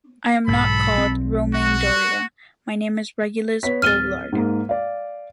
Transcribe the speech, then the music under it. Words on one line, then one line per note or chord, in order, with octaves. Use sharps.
I’m not called Romain Doria, my name is Régulus Boulard.
B1 G#2 A4 B5
B1 C4
F#4
B3 C#5 B6
D1 F6 A6 D#7 G7
G#2 G#3 A#3
D5 F5